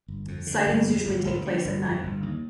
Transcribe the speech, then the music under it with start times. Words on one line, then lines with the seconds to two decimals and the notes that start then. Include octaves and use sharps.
Sightings usually take place at night.
0.08 G1
0.28 F2
0.47 D3
0.66 G1
0.86 F2
1.05 G1
1.25 G1
1.45 D3
1.65 G1
1.84 F2
2.04 G1
2.23 D#2